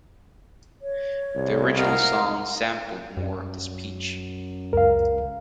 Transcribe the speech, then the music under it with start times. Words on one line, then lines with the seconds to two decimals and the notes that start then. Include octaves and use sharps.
The original song sampled more of the speech.
0.82 C#5
1.35 C2
1.78 A#4 D#5 F5 F#5
3.17 F#2
4.73 C#2 A#4 F5